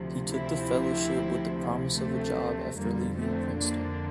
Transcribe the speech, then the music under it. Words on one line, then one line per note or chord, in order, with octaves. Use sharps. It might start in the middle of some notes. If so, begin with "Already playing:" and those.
He took the fellowship with the promise of a job after leaving Princeton.
Already playing: D2 C3 F3
C4 E4
A3 C4
F2 D3 F3 G3 A#3
A3 C4
A#3 D4